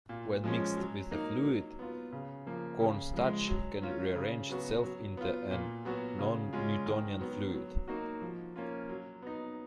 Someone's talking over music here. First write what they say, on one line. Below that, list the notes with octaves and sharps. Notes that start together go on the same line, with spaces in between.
When mixed with a fluid, cornstarch can rearrange itself into a non-Newtonian fluid.
A#2
F3 G#3 C#4
F#3
A#3 D#4
F#3
B3 F4
C#3
F3 A#3
C#3
F3 G#3
F#3
C#4 F4
C#3
F#3 B3 F#4
F#3
B3 F4
A#2
F#3 B3 F#4
C#3
G#3 C#4 F4
D#3
F#3 B3
F#3
A#3 D#4 F#4
F3
A#3 C#4 F4
F#3
B3 D#4